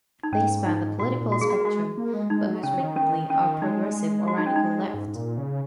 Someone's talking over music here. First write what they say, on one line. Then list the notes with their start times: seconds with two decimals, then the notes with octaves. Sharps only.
They span the political spectrum, but most frequently are progressive or radical left.
0.23 D#4
0.32 G#2 C#4
0.66 D#4
0.99 A#2 F#4
1.21 A#2
1.32 F#4
1.41 A#3 G#4
1.50 F#4
1.65 G#3 F#4
1.98 A#3
2.14 G#3
2.30 G#3 D#4
2.47 F#3
2.63 C#3 C#4
2.74 F#3
2.80 D#3
2.96 C#4
3.30 C#4
3.62 G#3 D#4
4.28 F#4
4.38 D#4
4.46 C#4
4.56 D#4
4.94 G#2
5.08 G#2
5.15 A#2
5.38 C#3